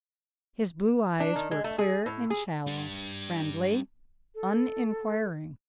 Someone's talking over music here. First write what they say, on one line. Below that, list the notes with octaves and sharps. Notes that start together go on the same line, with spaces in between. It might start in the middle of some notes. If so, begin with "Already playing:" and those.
His blue eyes were clear and shallow, friendly, uninquiring.
D4
D#3
G#3
A3
G#4
A2
G#4
G3 D4
A4